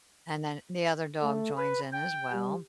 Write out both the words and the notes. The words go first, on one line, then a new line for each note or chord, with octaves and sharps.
and then the other dog joins in as well.
A3
B4
G5
G3